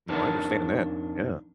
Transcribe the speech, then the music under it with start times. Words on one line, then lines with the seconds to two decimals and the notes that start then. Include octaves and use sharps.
No, I understand that. Yeah.
0.09 F2 D4 D#4 A#4 C#5 A5